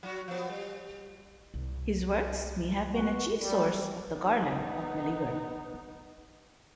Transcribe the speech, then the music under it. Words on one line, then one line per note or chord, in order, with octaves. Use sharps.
His works may have been a chief source of the "Garland" of Meleager.
F#3 F#4
F3 B3
G3
C2
B3 F#4
G3
B3 D#4